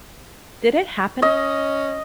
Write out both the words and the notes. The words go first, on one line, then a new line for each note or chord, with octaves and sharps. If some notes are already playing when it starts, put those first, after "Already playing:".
Did it happen?
C#4 D#5